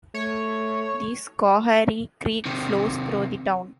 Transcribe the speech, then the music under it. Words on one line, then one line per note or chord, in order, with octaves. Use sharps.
The Schoharie Creek flows through the town.
A3 C#5
C3 D#3